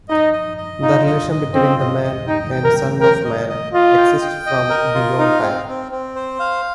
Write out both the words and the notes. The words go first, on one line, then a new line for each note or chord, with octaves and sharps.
The relation between the "Man" and "Son of Man" exists from beyond time.
D#4 D#5
D#5
D#5
D#4 F4
D#5
D#5
C4 F4
D#5
D#5
D#4 G5
G5
A#4
G5
A#4 G5
D#5
D#5
F4 D#5
G5
G5
D#5
A#4
F4
D#4 F5
C4
C4
C4
C5
F5